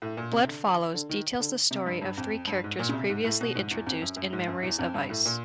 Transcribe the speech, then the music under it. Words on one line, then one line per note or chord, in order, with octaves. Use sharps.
"Blood Follows" details the story of three characters previously introduced in "Memories of Ice".
A2
A#2
C3
D3
D3
D#3
D3
C3
G2
G2
F2
G2
G#2
A#2
C#3
C3
G#2
A2
B2
G#2
E2
F2
F#2
F#2
G#2
F#2
E2
F2
G2
A2
A#2